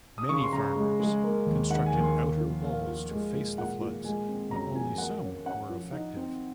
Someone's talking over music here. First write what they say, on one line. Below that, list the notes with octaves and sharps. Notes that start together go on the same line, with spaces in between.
Many farmers constructed outer walls to face the floods, but only some were effective.
D#6
C#3 C#6
C6
C#3 A#5
G#3
G#3
A#3
D#2
D#3 F#5
G#5
D#2
C6
A#3
F3
A#3 F5
F3
G#3
A#2
A#2 F#5
A#2
G#3 G#5
C4
F#2 A#5
F3 G#5
A#3 F#5
C#4
C#4 F#5
F3
D#4
C4